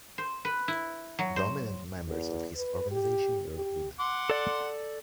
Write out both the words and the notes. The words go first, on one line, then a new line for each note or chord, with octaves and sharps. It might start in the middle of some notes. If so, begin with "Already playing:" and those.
Dominant members of his organization were women.
C5
B4
E4
F#3
C5
E2
B4
G4
G4
F#5 C6 D6
A4 D5